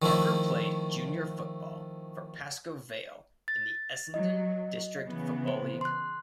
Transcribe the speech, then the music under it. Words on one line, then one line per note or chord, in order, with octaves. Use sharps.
Barker played junior football for Pascoe Vale in the Essendon District Football League.
D#3 F3 A3 E4
A6
F#3 D#5
C#3 E3 B3
C5
C6 F#6